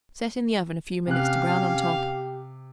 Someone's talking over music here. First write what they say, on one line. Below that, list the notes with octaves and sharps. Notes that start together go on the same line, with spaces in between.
Set in the oven a few minutes to brown on top.
C3 C#4 G4 F5 F#6